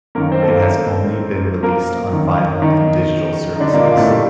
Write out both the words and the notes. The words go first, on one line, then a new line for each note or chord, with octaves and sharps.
It has only been released on vinyl and digital services.
F#2 D#3 A#3 A#4
C4 C5
A4
A#3 A#4
A#3 A#4
F#2 D#3
D#3 D#4
D#4
D3 D4
A#2 A#3
A#2 A#3
A2 A3
A2 G3